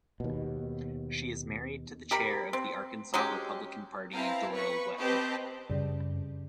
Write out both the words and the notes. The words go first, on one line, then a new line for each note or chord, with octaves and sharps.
She is married to the Chair of the Arkansas Republican Party Doyle Webb.
D#2 B2
G4 A#4 B5
C4
F#3 G#3 C#4 G4
B3 C4 E4 F5 A5 A#5
B4 C#6
C4 G4 B4 C5 D#5 A5
F#2 C#3 G3 D5